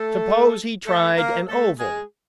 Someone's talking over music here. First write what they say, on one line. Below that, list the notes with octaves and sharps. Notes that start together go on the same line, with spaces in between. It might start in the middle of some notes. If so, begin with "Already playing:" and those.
Suppose he tried an oval.
Already playing: A3 A4
A3 A4
A#3 A#4
A3 A4
G#3 G#4